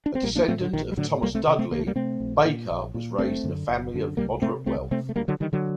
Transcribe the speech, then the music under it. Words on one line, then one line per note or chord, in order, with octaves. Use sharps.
A descendant of Thomas Dudley, Baker was raised in a family of moderate wealth.
D4
C4
A#1 G3 A#3
A#3 D4
A2 A3 C4
D3
A#1 D#3
G3
A2 D3 F#3
C2 G3 A#3
A3 C4
C3
A3 C4
C2 A#3
A3
G3 A#3
C3 A3 C4
A#1
A#2
A#1
A#2
F#1 A3 C4
F#2 D3
F#1
F#2 D3
C2 G3 A#3
C3 A3 C4
C2 A3 C4
C3 A3 C4
A3
D2 G3 A#3
D3 F#3
D3 D#3 G3
D3 F#3